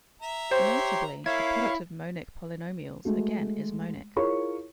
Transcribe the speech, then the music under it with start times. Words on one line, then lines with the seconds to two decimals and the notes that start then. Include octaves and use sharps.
Notably, the product of monic polynomials again is monic.
0.22 E5 A#5
0.51 G4 C5 C#5 C6
1.26 A#3 E4 C#5 F5 G#6
3.05 G#3 A3 F#4
4.16 E4 F4 G#4 A#4 C#5 C#6